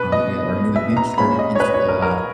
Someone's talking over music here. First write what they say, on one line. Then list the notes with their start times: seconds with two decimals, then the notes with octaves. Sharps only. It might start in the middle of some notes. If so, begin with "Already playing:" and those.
um, yeah, or a new adventure, and so, uh,
Already playing: B2 B3 B4
0.12 D#5
0.76 E5
0.97 A#5
1.18 A#2 G#3 C#4 B5
1.39 D#5
1.55 C#5
1.60 B4
1.74 C#5
1.89 A#4
2.02 A#4